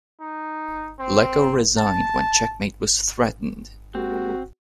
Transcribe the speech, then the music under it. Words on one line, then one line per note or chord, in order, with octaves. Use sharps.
Leko resigned when checkmate was threatened.
D#4
C4
A5
G#3 A#3 C4 F#4 G4